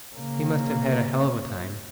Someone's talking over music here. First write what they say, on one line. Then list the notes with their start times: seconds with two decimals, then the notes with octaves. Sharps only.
He must have had a hell of a time.
0.15 C#3 A#3